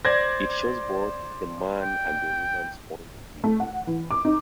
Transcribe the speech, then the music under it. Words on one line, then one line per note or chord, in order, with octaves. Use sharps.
It shows both the man and the woman's point of view.
C5 D5 G#6 A#6
G5
A3
F#5
E3
D6
D#4